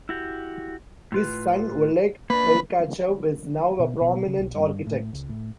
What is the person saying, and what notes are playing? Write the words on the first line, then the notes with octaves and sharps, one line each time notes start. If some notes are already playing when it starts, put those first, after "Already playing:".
His son Oleg Tolkachev is now a prominent architect.
E4 F#4 G4
A2 F4 B4
A#3 D4 B4
B2
B2
C#3
B1
G2
A2
C#2
A2